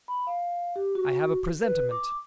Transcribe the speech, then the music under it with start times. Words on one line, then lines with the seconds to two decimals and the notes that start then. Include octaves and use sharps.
I have a presentiment.
0.08 B5
0.27 F5
0.76 G4
0.95 F#4
1.62 B4
1.91 D6